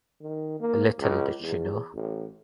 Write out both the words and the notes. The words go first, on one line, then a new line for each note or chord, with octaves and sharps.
Little did she know.
D#3
A#3
C#2
E2
A1